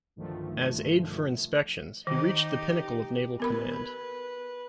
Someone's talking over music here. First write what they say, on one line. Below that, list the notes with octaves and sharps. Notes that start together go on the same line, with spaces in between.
As Aide for Inspections, he reached the pinnacle of naval command.
B1 G2 D3 D#3 F3 A3
D#3 D#4 G4
B3 A#4 B4 B5